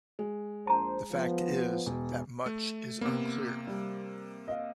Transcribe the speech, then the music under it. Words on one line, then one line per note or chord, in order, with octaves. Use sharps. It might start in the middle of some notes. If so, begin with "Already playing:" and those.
The fact is that much is unclear.
G#3
A#1 C5 A5 A#5
F3 B3
E1
A3
C3 A#3 B3
G3
D#5 F5